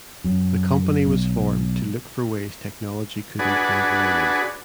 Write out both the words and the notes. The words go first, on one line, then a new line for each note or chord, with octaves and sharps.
The company was formed to look for ways technology could improve learning.
F#2
B1
D4 F#4 G#4 B4